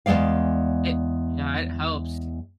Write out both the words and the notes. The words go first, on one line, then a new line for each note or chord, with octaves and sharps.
It yeah, it helps i
E2 C3 G#3 D5 F5